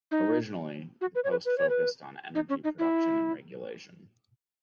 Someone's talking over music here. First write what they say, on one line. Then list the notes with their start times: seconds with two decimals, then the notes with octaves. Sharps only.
Originally the post focused on energy production and regulation.
0.11 D#4
1.01 F#4
1.15 B4
1.24 C#5
1.31 B4
1.45 B4
1.58 C#5
1.69 B4
2.35 D#4
2.49 C#4
2.64 D#4
2.79 E4